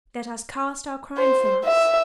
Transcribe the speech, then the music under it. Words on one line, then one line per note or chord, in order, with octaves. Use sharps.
Let us cast our crime from us.
C5
E5